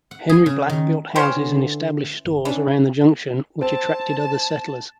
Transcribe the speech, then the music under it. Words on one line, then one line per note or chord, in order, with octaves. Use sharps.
Henry Black built houses and established stores around the junction, which attracted other settlers.
F#5
G#4
C#3
D#3
E3 C#4 C5 G5 F6
D3
G1
E3 C#4 D4
C4 A5